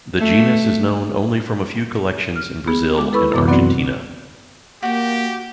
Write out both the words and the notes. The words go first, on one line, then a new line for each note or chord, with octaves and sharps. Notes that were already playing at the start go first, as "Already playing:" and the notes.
The genus is known only from a few collections in Brazil and Argentina.
A3
F6
B3 G#4
G#3 D6
E4 A4 B4 B5 C#6 E6
F#2 C3 E3 B3 D6
F#3 B3 C4 F#4 D5
A#3 F#4 G4 G5